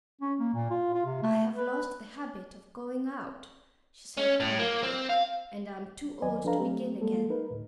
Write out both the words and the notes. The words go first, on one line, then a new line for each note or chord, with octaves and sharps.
"I have lost the habit of going out," she said quietly, "and am too old to begin again."
C#4
A#3
A#2
F4
F4
C3
A3
B4
C#4
A2
A#3
C4
F5
D#2 F#3 D5 D#5 G#5
F3 D4 A4 B4 F5 A#5
F#3 A3 C4 G4
G3 G#3 A#3 A4
D#4 A#4 B4
D2 A2